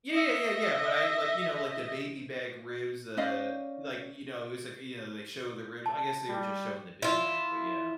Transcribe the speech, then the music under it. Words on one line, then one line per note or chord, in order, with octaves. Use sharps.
Yeah, yeah, yeah, yeah, but I like, you know, like, the baby back ribs, uh, like, you know, it was like you know, they show the ribs I guess they were just showing the Big Mac, but yeah.
D#5 E5
C#4 D5 D#5 F5
A5
G3
E4 F4